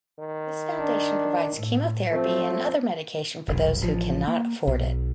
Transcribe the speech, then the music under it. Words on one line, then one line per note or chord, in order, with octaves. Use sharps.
This foundation provides chemotherapy and other medication for those who cannot afford it.
D#3
D4
A2
F3 A3 C4
F1 B1
A1 F3
A#3
B1